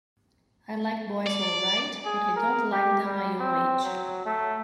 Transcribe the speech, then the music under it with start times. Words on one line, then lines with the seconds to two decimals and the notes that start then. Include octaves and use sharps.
I like boys all right, but I don't like them my own age.
1.27 D5
2.05 G#4
2.36 A#4
2.71 G4
3.04 G3
3.40 C4
3.84 F#3
4.25 A3